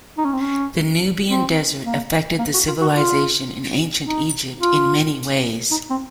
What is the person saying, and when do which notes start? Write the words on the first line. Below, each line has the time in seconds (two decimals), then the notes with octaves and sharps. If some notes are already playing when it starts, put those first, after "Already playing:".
The Nubian Desert affected the civilization in ancient Egypt in many ways.
0.18 D#4
0.25 C#4
0.33 C4
0.41 C#4
1.29 C4
1.84 A#3
2.39 A#3
2.54 F#4
2.68 F4
2.81 F#4
2.94 F4
4.05 D#4
4.61 F4
5.71 D#4
5.90 C4